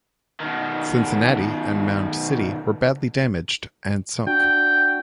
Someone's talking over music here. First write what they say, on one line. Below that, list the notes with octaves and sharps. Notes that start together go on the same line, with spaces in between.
"Cincinnati" and "Mound City" were badly damaged and sunk.
B2 D#3
D4 F#4 G5